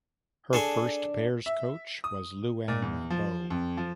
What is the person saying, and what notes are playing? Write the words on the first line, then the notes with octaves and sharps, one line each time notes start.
Her first pairs coach was Luan Bo.
D4 G#4 A4 G#5
E5
D#6
A#2
E2
F3
F2
F3